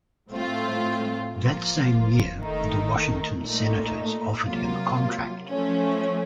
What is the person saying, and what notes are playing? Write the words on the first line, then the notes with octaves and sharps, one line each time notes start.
That same year, the Washington Senators offered him a contract.
A2 A3 C4 F4
F3 A#3 F4
D#3 A3 D#4
A#2 A3 D#4
C3 F#3 A#3 F4
F3 A3 C#4